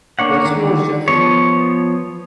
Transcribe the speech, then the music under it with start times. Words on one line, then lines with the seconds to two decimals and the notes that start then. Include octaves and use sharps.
What's yours, Jeff?
0.19 A#3 D4 C#5 F#5
0.45 D3 D#3
1.08 F3 B3 C#5